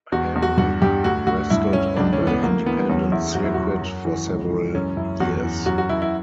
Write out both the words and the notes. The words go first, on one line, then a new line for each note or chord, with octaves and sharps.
Hamrick wrestled on the independent circuit for several years.
E2 F#4
E2
F#4
G2 F#4
G2 G4
D2 F#4
D2 F#4
G2 E4
G2 C#4
C#2 D4
C#4
E3
B3
D2 A#3
E3 B3
E2 C#4
E2 E4
F#2 F#4
E4
F#2 F#4
F#2
E3
C#2
E3
F#2 C#4
F#2 E4
E2 F#4
E3
F#2 F#4
F#4
F#2 E4
E4